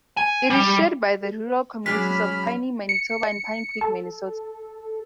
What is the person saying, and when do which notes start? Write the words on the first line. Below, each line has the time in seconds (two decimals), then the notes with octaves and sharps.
It is shared by the rural communities of Piney, Manitoba and Pinecreek, Minnesota.
0.17 G#5
0.50 G3
1.86 F#3 G#3 C#4 G#4 D5 B5 F6 B6
2.89 C#7
3.81 A4